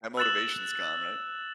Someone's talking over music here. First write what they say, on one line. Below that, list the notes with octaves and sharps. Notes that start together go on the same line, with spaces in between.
that motivation is gone, right?
E6 F#6 A6 E7 F#7